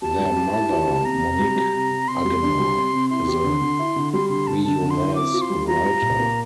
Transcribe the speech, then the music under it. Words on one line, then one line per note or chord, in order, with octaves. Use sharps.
Their mother, Monique Agénor, is a Réunionese writer.
G4 A5
G3
G4
E4
G4
G4
C3 A#5
C3
G3
G3
C3
C3
C3 C6
G3
D4
G3
C3
C3
E4 C6
G4
D3
D3
E4
D3
G3 C6
D3 C6
D3 A5
D3 A5
D3
C6
E4
C4 D6
F4
C6
G3
F4 A#5
G3
A#2
A#3